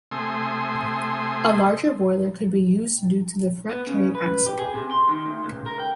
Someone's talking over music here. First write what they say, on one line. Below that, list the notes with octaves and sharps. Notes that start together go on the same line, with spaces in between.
A larger boiler could be used due to the front carrying axle.
C3 A3 G#5 C6 D#6
B3
C#3
B4
G4
G#4
C3
C6
D#3
D2
C#2
A#4
G5